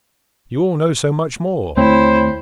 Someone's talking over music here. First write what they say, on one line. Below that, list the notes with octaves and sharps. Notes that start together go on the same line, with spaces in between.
You all know so much more.
D#2 D3 A3 C4 E4 C5 C#5 G5